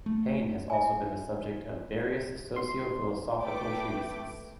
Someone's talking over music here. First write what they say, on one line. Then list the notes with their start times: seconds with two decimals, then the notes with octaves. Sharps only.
Pain has also been the subject of various socio-philosophical treatises.
0.06 A3
0.70 E5 G#5
2.56 C6
3.41 A3 B4 G5 D6